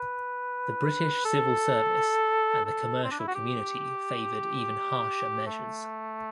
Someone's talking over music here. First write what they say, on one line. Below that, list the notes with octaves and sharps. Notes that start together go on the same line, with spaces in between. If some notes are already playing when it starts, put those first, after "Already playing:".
The British civil service and the commercial community favoured even harsher measures.
Already playing: B4
A4
A4
C4
D4
E4
F#4
G4
A3